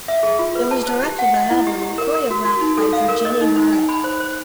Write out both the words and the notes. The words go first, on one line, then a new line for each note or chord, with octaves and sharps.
It was directed by Aborn and choreographed by Virginie Mauret.
E5
G#4
F4
B4
A5
C5
G4
F#5
D#5
E4
G4
G4
A#4
A#4
F#4
F#4
D#4
A4
F5
A#4
D#5
D#4
D#4
G#5
B5
C5
C5